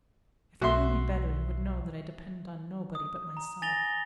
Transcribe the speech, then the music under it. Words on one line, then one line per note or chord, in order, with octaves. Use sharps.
"If you knew me better, you would know that I depend on nobody but myself."
B1 F#4 E5 C6
D#6
A#5
G#5 A6 A#6 F7 G7